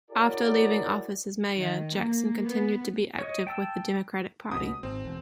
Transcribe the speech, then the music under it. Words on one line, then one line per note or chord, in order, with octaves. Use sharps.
After leaving office as mayor, Jackson continued to be active with the Democratic Party.
E4 F#4 G#4 A#4 C#5 D5
D#3
A#3
B3
C#5 D#5
G5 A5 E6
C#2 B2 D#6
G#1 C4
E1